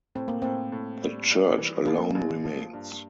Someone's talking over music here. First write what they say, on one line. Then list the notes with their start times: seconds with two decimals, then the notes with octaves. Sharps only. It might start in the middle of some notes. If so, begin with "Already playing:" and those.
The church alone remains.
0.15 A2 C4
0.28 A#3
0.42 A2 C4
0.72 A2
1.02 G3
1.30 G3
1.58 E3
1.86 A1 A#3
2.15 A1
2.44 F3
2.73 G2